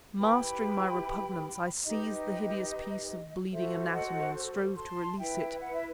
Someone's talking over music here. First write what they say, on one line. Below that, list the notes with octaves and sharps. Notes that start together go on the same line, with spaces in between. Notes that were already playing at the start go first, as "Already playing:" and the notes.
Mastering my repugnance, I seized the hideous piece of bleeding anatomy and strove to release it.
E4 G4 B4 G5 B5
D#4 G4 B4 D#5
F#4 A4 C5 E5
D#5 F#5
A5 C6
E4 B4 E5 G5
F#5
E5